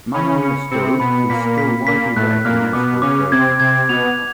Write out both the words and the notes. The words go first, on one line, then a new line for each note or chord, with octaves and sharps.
"Manon Lescaut" is still widely read in Nezval's version.
C#3 C#4 B5
C#7
C3 C4 C#7
B2 B3 B5
A#2 A#3 B6
B6
A#2 A#3 B6
A2 A3 F#6
A#2 A#3 F6
B2 B3 D6
C#3 C#4 D6
C3 C4 G#6
C3 C4 G#6
B2 B3 F7